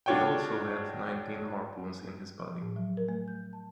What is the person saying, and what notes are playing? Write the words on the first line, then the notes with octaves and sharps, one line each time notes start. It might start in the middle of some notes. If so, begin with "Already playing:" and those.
He also had nineteen harpoons in his body.
D4 F4 F#4 C#5 F#5 G5
F3
A2
F#3
A#4
A3
G6
A5